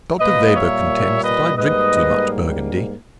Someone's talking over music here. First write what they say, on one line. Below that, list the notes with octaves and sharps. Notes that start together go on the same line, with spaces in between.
Dr. Weber contends that I drink too much Burgundy.
A#2 G3 A#3 B4 D#5
C#5 E5
B4 D#5
G#2 G3 A#3 B4 D#5